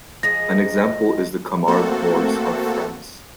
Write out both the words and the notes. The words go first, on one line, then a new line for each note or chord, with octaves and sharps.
An example is the Camargue horse of France.
F3 G#3 D#4 A#6
A3 A#3 C4 F#4 A4